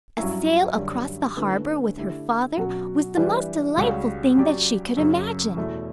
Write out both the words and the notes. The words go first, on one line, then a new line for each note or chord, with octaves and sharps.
A sail across the harbor with her father was the most delightful thing that she could imagine.
G2 F#3 C#4 E4
F#2 D3 G3
D3 A3 C#4 E4 B4
D3 A3 E4 G4
B2 F#3 C#4 F#4
E3 G3 D4 G4 B4
C#2 C#3 G3 C#4 F#4
F#3 C#4 G4 D5
F#2 C#3 F#3 C#4
E2 B2 A3 E4